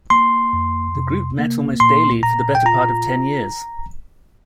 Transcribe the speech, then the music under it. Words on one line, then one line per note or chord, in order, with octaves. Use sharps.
The group met almost daily for the better part of ten years.
A#3 C6
F2
C3
A#3
A#2 C6
A#2 A#5
G5
F4 A#5